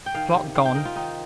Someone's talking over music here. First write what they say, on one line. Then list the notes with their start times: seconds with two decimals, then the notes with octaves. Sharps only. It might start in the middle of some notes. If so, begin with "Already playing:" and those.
Clock gone.
0.06 G5
0.14 D#3 F5
0.34 C3
0.55 C4 F5
0.65 G5
0.75 D#4 A#4
0.85 F4
0.96 D#3 D#4